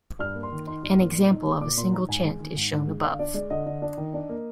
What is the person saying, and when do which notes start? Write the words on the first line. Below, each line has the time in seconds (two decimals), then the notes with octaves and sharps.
An example of a single chant is shown above.
0.19 G2 F6
0.35 A#3
0.43 C6
0.52 D#3
0.67 D#4 C6
0.83 G2
0.99 A#3
1.14 A#2
1.30 D#4
1.45 G#3
1.61 A#2 D6
1.77 A#2 C6
1.92 D#4 A#5
2.09 G#2 G#5
2.24 G#3
2.40 D#3
2.56 G#2
2.72 G#2
2.88 G#3
3.04 D3 F5
3.19 D4 D5
3.34 G#3 D5
3.50 D3 D#5
3.66 D3
3.82 D4
3.97 D#3
4.14 D4
4.29 A#3